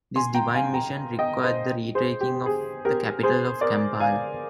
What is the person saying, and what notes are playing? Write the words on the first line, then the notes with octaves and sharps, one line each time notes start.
This divine mission required the retaking of the capital of Kampala.
G#5 C6
G5 A#5
F5 G#5
G5 A#5
D#5 G5
C5 D#5
G#4 C5
G4
G#4
G4 A#4
G#4 C5
A#4 D5
F5 G#5